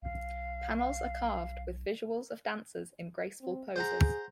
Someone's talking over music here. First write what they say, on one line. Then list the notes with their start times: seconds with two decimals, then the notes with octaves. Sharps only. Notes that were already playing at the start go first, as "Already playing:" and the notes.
Panels are carved with visuals of dancers in graceful poses.
0.02 B1 F5
3.41 C4
3.76 G#4 C5 F#5 A#5